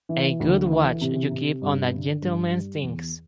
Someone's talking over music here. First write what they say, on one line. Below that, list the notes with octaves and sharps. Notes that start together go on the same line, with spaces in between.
A good watch you keep on a gentleman's things!
E3
D2
E3
C3
C3
G2
D3
G2
G3
E2